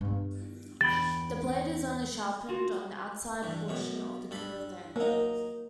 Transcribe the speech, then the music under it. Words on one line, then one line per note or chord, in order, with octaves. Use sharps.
The blade is only sharpened on the outside portion of the curved end.
G2 B3
E2 G5 B5 A6
F4 F#4
G2 E3
F#2 B2 C#6
G2 A4 B5
F#3 A#3 D#4